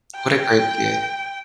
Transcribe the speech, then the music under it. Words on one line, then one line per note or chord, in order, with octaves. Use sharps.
What a great kid.
G5